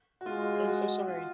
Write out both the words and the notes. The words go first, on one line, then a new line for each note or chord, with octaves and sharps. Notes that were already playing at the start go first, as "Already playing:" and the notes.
I'm so sorry.
F#4
G#3 F4
F#4
G#4
F#4
F4